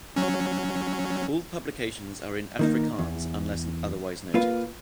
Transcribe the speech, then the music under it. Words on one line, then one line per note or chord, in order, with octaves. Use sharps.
All publications are in Afrikaans unless otherwise noted.
F#3 C#4
D#3 A#3 D#4
E2
A#3 F4 B4 F5